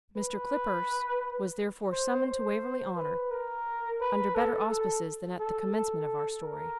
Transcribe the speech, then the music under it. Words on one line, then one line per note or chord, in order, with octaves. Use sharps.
Mr. Clippurse was therefore summoned to Waverley-Honour, under better auspices than at the commencement of our story.
B4
C5
C5
B4
A#4
B4
A4
A4
A4
A4
A#4